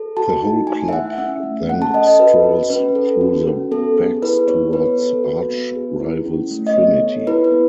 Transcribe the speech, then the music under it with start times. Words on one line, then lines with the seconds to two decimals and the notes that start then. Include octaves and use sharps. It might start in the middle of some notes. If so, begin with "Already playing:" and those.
The whole club then strolls through the backs towards arch-rivals Trinity.
Already playing: A4
0.17 F#4 A5
0.42 D#4
0.67 A3 G#5
0.89 E5
0.93 E4 F#5
1.18 C#4 E5
1.43 A3
1.68 C#4 F#5
1.82 A5
1.94 A4 D#5
2.07 D#5
2.20 F#4 B4
2.45 C#4
2.70 C#4 B4
2.95 A4
3.21 F#4
3.47 C#4
3.71 B3 A4
3.97 G#4
4.22 E4 B4
4.48 B3 C#5
4.73 B3 B4
4.98 A4
5.24 F#4
5.50 B3
5.75 G#4
6.00 E4
6.26 C#4
6.51 A3
6.67 D#5
6.76 B3 C#5
7.02 A4
7.27 E4 B4
7.44 B4
7.52 B3